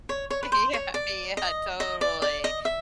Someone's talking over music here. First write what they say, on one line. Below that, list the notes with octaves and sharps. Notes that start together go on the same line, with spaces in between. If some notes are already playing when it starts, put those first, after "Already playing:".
Yeah, yeah, totally.
C#5
C#5
B4
C5
C#5
D5
D#5
D#5
D5
D5
D#5
E5